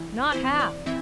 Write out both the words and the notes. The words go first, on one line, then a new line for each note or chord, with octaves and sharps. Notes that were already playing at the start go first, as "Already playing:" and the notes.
Not half.
Already playing: E3 E4
E3 C4 E4 C5
D5
E3 C4 E4 E5